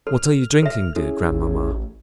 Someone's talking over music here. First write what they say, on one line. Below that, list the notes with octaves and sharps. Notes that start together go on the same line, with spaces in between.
"What are you drinking, dear grandmamma?"
A4 F6
A4 E5
C#4 E4 G#4 A4
A1